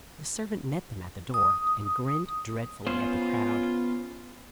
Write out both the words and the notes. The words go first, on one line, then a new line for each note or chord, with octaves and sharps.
The servant met them at the door, and grinned dreadfully at the crowd.
D#6
B3 C#4 F4 C5